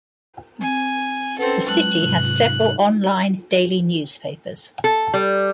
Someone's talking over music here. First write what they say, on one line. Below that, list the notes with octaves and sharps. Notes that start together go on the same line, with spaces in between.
The city has several online daily newspapers.
C4 G#5
C4 C#4 A4 B4 F#5
F#3 G#3 A5 F#6
G#2 C3
A4
G3